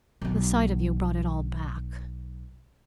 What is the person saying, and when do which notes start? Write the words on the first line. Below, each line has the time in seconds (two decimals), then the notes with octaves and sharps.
The sight of you brought it all back.
0.22 B1 B2